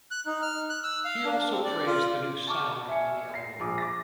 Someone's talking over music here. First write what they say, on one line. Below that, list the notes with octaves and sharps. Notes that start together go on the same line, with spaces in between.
He also praised the new sound on the album.
F#6
D#4
F6
F#6
E6
F5
D4
C4
D5
F4
A5 C#6 D6 F6
E5 G#5 C#7
A#6 C7
A#1 D6 D#6
D6 A6 A#6